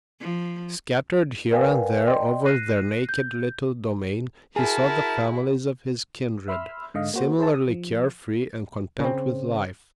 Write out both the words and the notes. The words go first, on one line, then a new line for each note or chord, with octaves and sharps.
Scattered here and there over their naked little domain he saw the families of his kindred, similarly care-free and content with life.
F3
A#4 B4 D5 F5 G5 G#5
D5 D#5 G5 C6
F#6 A#6 C7 D#7
G6
E4 F#4 G#4 A#4 A5
E5 B5 C6 E6 F6
G#2 D3 D#5 F5
A#3 F#4 C5
G#4 C5 E5 A5
D#6
F3
C#3 C4